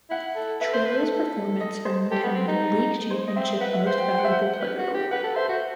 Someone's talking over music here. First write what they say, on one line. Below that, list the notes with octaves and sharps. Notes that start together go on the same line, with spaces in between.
Trillo's performance earned him the League Championship Series Most Valuable Player Award.
E4 F#5
A4
B4 E5
C5
B4
A4
D#5
C5
G4 A4
B3
C4
D#4
C5
D#5
C4 E5
B4 F#5
E5
C5 F#5
G5
G5
F#5
E5
F#5
B4
F#4
G4
B4 F#5
A4
C5 E5
F#4